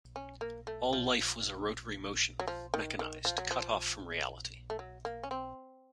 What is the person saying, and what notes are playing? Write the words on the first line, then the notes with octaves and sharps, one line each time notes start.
All life was a rotary motion, mechanized, cut off from reality.
C#4
A#3
A3
F3
F#3
F3
D#3
D#3
F3
F#3
F3
A3
F#3
A#3
C#4
C4